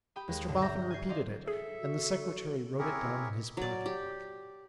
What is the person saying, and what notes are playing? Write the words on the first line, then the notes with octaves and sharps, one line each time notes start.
Mr Boffin repeated it, and the Secretary wrote it down in his pocket-book.
G4 G5 B5 D#6
D#2 G#3
B1 G2 D3 D4
E5 A#5 G6 A#6 B6
G#5 G6 C7
C5 D5 D#5 F5
G#4 A4 E5
F#4
C4 E4 G4 G#4 A#4 C#5
F#3 D5
G4